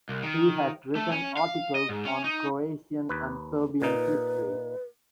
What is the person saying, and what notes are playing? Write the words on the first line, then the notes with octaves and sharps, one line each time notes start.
He has written articles on Croatian and Serbian history.
C2
D#3
A3
C#4
F5
D#5
G#2
C#4
D#4
D#2 B4
A#2 D#4 B4